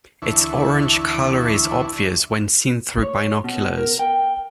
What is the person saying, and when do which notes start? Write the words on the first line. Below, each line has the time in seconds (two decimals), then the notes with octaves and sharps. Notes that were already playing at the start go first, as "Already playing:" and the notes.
Its orange colour is obvious when seen through binoculars.
0.22 D2 E3 D4 E4 C#6
3.03 C#5
3.44 B2
3.78 A#4
3.99 G5